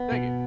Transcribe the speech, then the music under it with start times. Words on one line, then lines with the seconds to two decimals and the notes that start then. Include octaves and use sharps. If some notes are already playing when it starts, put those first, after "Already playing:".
Thank you.
Already playing: B3
0.12 B2